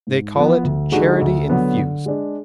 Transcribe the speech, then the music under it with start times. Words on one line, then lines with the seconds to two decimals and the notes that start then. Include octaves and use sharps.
They call it "charity infused."
0.07 G#2
0.36 F3 B3
0.63 D2
0.92 D3 G#3 D#4 F#4
1.21 D2
1.50 D3 F#3 B3
1.77 D3
2.06 G#3 D4